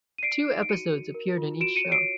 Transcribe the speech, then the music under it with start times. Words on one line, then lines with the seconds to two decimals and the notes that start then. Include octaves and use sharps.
Two episodes appeared in each show.
0.18 D#7
0.23 D5 C7 D7
0.47 D#4
0.62 D7
0.69 F#4 C#7 D#7
0.92 F#4
1.14 A#4
1.38 F4
1.60 F#4 D7 E7
1.76 C#7 D#7
1.85 C#5
1.92 C7 D7